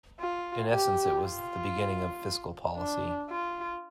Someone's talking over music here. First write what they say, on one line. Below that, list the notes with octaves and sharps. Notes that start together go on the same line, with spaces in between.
In essence, it was the beginning of fiscal policy.
F4
G4
F4
D4
F4